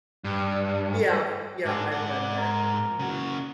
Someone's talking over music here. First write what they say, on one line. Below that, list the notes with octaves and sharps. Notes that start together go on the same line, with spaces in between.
Yeah, yeah, I've been there. Mhm.
G2
G#2 D4 G#4
G#2 D4 F#5
D5
A#4
C#3 F#4